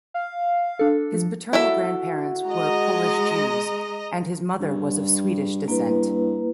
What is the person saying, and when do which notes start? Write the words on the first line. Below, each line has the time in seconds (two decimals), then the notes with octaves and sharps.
His paternal grandparents were Polish Jews and his mother was of Swedish descent.
0.14 F5
0.79 D4 A4
1.13 F3
1.53 E4 F#4 A4 E5
2.48 G#3 D#5 A#5
4.60 G2
5.68 G2 A#3 E4 B4